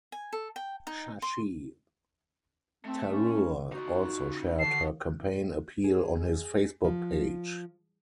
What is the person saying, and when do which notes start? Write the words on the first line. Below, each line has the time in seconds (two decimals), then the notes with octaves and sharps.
Shashi Tharoor also shared her campaign appeal on his Facebook page.
0.12 G#5
0.33 A4
0.56 G5
0.87 D#4
1.22 C6
2.85 A3 C4 A5
3.07 C#4
3.73 D#4 F4 F#4
4.59 D3 F#4 A5 C7
5.84 G#4
6.85 F3